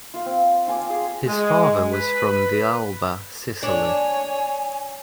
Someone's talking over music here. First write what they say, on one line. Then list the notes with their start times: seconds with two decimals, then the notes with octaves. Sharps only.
His father was from Villalba, Sicily.
0.14 F4 F5
0.26 C4
0.68 F4 G#5 D6
0.90 G#4
1.27 G#3
1.91 B4
3.63 D4 C#5 G#5